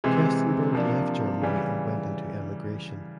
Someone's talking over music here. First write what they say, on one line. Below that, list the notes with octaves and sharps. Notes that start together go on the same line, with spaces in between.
Kestenberg left Germany and went into emigration.
C3 E3 G#3 C4
C3 F3 A#3 D4
C#3 E3 G3